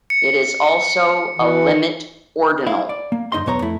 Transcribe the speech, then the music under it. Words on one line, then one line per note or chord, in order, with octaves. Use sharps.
It is also a limit ordinal.
C#7
E3
E4 F5
D5
A#3
F#2 D#4 D#5 C6
B1 E2 B3 C#5 F5 A#5
F2 A3 E4